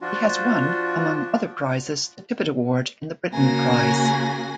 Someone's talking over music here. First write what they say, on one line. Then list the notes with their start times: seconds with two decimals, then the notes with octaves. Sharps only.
He has won, among other prizes, the Tippett Award and the Britten Prize.
0.01 F3 D4 F4 F#4
3.33 C#3 A#3 F#4 G#5 A#6